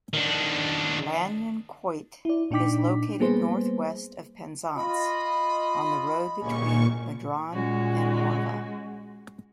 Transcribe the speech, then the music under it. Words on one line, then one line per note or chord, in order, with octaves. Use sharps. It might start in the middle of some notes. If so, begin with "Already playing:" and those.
Lanyon Quoit is located northwest of Penzance on the road between Madron and Morvah.
D#3 D4
E4 D5
A#2 D4 D#4 G5 D6 B6
G3 A#3 B3 G#4 B4 C5
F4 D#5 B5
G1 C#2 A#2 C#4 C#6
A#2 G#3 C#4 F#4